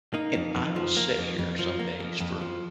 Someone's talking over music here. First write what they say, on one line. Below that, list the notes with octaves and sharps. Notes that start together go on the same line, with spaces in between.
and I will sit here some days, for
A#3 D#4
F2
F2
F3
A#3
F2
F2
F3
A#3
F2
F2
F3